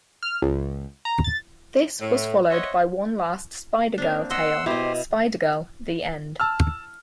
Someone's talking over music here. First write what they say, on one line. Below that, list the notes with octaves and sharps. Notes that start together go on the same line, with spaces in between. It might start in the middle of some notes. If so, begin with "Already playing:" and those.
This was followed by one last Spider girl tale, "Spider-Girl: The End".
F6
C#2
A#5
A6
A2
C5 C#5 D#5 E5 F#5
A#3 C4 D4
D#5 F#5 C6 E6
B2 E4 G4 C5 D#5
A5 E6 F6